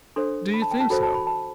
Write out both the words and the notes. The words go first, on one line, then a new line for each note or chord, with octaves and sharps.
"Do you think so?"
D4 A4 C5 C6
B5
A5
G5
A5
F#4 A4 C5 B5
A5
B5
A5